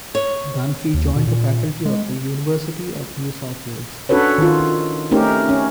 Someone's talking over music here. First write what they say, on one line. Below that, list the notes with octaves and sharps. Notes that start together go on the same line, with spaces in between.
Dunphy joined the faculty of the University of New South Wales.
C#5
D#2
B2
A#2
G#3
C#4 D4 F#4 A4 B4 C#5
D#3 F4
A3 C4 C#4 D#4 G4 A#4
C#4